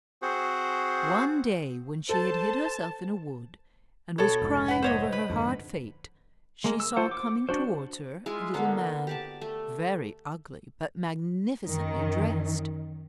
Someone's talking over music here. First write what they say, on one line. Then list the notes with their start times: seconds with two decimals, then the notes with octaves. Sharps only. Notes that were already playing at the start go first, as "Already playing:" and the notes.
One day, when she had hid herself in a wood, and was crying over her hard fate, she saw coming towards her a little man, very ugly, but magnificently dressed.
0.22 C4 F#4 G#4 C5
2.09 A4 C5 A5
4.18 B2 A4 C#5
4.41 F1 G#2
4.68 B4 F#5
4.82 C5 C#5 D#5
5.12 B4
5.30 F2 G#2 D3
6.64 G#3 A#3
6.80 E6
6.97 F4 C5 F#5
7.11 D6
7.49 D4 F#4 C5
8.26 G#3 E4 F4 G#5
8.54 D3 A#3 B3
9.07 G4 D5 A5
9.41 A3
11.64 F#2 D#3